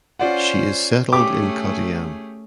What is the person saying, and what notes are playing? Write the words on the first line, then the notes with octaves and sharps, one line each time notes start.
She is settled in Kottayam.
C#4 F4 C5 D5 F#5
A3 C#4 G4 G#4 D6